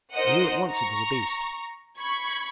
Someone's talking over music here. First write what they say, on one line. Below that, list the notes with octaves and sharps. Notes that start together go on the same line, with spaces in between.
I knew at once it was a beast.
D#4 A#4 C5 D#5 F#5
A#5 C#6
B5 C#6 G#6